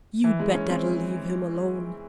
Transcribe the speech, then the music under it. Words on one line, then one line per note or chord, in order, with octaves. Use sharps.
You'd better leave him alone.
E3
G#3
C#4
C4